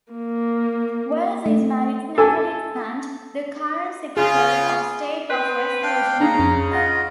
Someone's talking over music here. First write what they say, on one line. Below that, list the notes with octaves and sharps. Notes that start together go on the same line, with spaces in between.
Wells is married to Natalie Tennant, the current Secretary of State of West Virginia.
A#3
A3
A4 G#5
C#3 F4 G#4
C4 B4
D4 F5 G5
C#3 D4 D#4 A#5
F2 C#4
F4 D#5 F5 F#5